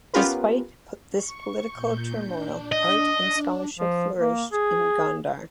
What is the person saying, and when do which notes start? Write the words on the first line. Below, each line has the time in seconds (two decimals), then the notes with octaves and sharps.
Despite this political turmoil, art and scholarship flourished in Gondar.
0.14 B3 C#4 F4 G4 A#4 B4
1.09 C#6
1.69 A#2 G6
2.19 D4
2.72 D#5
3.79 F3
4.18 A#3
4.52 G#4